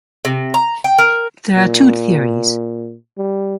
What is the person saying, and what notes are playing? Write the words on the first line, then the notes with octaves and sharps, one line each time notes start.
There are two theories.
C3
A#5
G5
A#4
A#2
G3